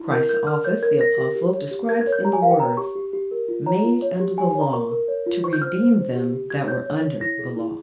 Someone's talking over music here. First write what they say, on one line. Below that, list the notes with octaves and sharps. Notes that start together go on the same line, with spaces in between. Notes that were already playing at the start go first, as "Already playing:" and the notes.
Christ's office the Apostle describes in the words: "Made under the law, to redeem them that were under the law."
Already playing: E4
A#4 G6
A#4 G6
A#4 F6
C#5 G6
A#4 G#6
A#4 A#6
G4
G4
C#5
G4
A#4 G#6
G#6
C#5
G6
G4 A#5
G#5
A#4 F5
G5
C#5 A#5
G4 C#6
G4
G4
A#4
F4
C#5 A#5
F4
C#5
G4
G4 G#5
G#5
C#5
A#5
A#4 C#6
A#4
C#5
F4
C5 C#6
G6
C5 F6
C5
C5
G4
G4
G4 G#6
C#5 G6
C#5
C#5
E4 A#6
G#4
E4